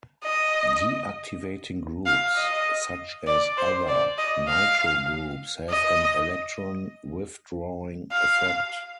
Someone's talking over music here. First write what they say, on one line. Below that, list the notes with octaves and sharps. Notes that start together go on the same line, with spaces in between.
Deactivating groups such as other nitro groups have an electron-withdrawing effect.
D#5
F5
D#5
D5
C5
D5
D#5
F5
D#5
F5